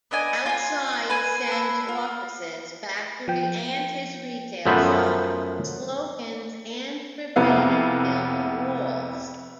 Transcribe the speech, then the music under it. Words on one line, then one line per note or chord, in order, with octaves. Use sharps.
Outside Sen's offices, factory and his retail shop, slogans and graffiti filled the walls.
B3 D4 D#5 G#5
F4 G#5
B4 G#5
B4 A5 E6
F4
F3 G5
F#2 F3 A3 B3 B4 C5
F2 C3 B3 E4 F5